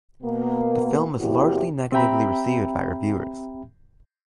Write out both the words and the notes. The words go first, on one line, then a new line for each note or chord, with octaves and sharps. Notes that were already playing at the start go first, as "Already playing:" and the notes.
The film was largely negatively received by reviewers.
B2 A#3 B3
E2 C3 A#3 E4 F#4 G4
C4 G4 E5 G5 A#5 B5